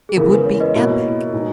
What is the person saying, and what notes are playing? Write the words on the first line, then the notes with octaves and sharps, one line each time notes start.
It would be epic.
G#4
E2 C#3 E3 G#3 A#4
B4
C#5
B4 D#5
B2 A#3 E4
B2 G#3 D#4